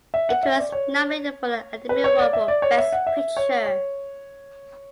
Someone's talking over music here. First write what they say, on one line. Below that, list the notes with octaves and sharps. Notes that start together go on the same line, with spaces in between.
It was nominated for the Academy Award for Best Picture.
E5
F#5
E5
D5
C#5
B4
C#5
D5
E5
D5
C#5
E5
F#5
E5
C#5
C#5